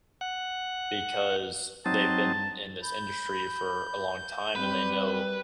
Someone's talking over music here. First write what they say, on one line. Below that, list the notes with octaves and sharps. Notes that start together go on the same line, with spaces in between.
because they've been in this industry for a long time and they know
F#5
F#3 C4 D#4 A5
B5 G6
G3 C4 B4